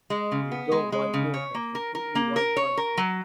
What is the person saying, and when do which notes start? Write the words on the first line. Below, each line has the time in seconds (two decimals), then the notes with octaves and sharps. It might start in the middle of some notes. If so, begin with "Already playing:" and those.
The adult white morph has completely white body plumage.
0.10 G#3
0.32 C#3
0.52 B3
0.72 G#3
0.92 G#3
1.14 C#3
1.34 C#5
1.55 A#3
1.75 A#4
1.95 A#4
2.15 A#3
2.36 A#4
2.57 C#5
2.77 A#4
2.98 F#3